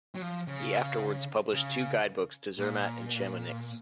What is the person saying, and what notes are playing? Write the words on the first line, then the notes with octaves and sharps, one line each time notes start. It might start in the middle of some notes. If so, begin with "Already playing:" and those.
He afterwards published two guide books to Zermatt and Chamonix.
F#3
F3
C#3
C#3
A#2